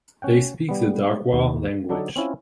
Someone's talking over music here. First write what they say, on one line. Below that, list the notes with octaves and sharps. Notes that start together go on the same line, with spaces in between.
They speak the Dargwa language.
C#4 F#5 G5
G3 B3
D#2
D3 F#3 D4 D#4 A4 D5
C4 C#4 E4 F4